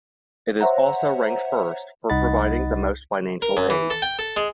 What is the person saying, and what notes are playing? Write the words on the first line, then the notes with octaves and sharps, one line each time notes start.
It is also ranked first for providing the most financial aid.
C5 C#5 E5 F#5 A#5
C2 D#4 D#5 F#5 B5 A6
A#4
F#2
E3
A4
G5
A4
G#3